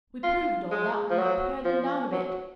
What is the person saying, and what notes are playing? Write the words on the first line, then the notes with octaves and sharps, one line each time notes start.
We proved all that when we pared them down a bit.
F4
G#3
F3
F#3
F3
F#3